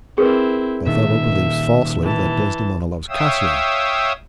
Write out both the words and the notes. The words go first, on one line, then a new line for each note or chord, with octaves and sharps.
Othello believes falsely that Desdemona loves Cassio.
C4 E4 G#4 A#4 B4
A#2 D#3 E5
E3 A5
C#5 E5 F5 G5 D#6 E6